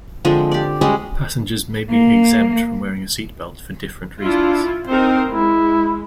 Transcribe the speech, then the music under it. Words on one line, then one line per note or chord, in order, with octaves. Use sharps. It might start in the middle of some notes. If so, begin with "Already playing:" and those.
Passengers may be exempt from wearing a seat belt for different reasons.
D3 F3 G#3 C4
G4 D5
G3 G#3 C#4 F#4
A#3
D4 E4 F4
C4 D#4 A#4 C5
G#3 E4